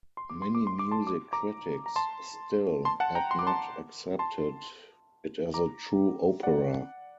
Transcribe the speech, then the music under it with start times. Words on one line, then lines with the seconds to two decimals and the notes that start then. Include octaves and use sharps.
Many music critics still had not accepted it as a true opera.
0.17 C6
0.30 D6
0.42 C6
0.55 D6
0.67 C6
0.79 D6
0.91 A5 C6
1.07 D6
1.33 A#5 D6
1.86 A#5
1.96 A5 C6
2.85 A5 C6
3.00 F#5 A5
3.15 G5 A#5
3.31 C6
3.39 D6
3.47 A5 C6
4.19 A5 C6
5.54 A#5 D6
6.43 D5 F#5